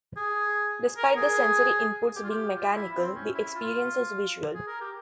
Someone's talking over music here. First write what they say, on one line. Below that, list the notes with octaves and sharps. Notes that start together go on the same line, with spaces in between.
Despite the sensory input's being mechanical, the experience is visual.
G#4
A#4
G#4
G4
F4
G4
F4
E4
C4
C#4
E4
F4
G#4
A#4
G4